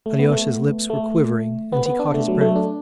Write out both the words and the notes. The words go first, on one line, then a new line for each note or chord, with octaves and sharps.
Alyosha's lips were quivering and he caught his breath.
A3
B3
A3
A3
B3
B3
D4
A3
F#3
A3
D4